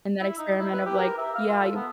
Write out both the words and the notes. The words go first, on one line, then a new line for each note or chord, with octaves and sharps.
and that experiment of like yeah, you
E4
D#4
E4
B4
G4
A#4
E5
F5
F4
A4
B3